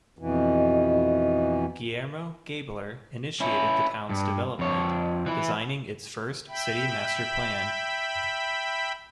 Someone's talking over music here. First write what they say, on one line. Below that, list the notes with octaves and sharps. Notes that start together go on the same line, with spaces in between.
Guillermo Gaebeler initiated the town's development, designing its first city master plan.
F2 B2 E3
C#4 E4
G2
F2 C#5
E3 E4
E5 G5 B5